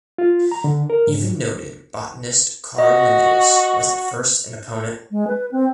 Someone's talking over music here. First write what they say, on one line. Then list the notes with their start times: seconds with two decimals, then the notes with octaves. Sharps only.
Even noted botanist Carl Linnaeus was at first an opponent.
0.18 F4
0.52 A#5
0.64 D3
0.90 A#4
1.07 G#2
2.78 F#4 D#5
5.11 G#3
5.28 B4
5.52 C4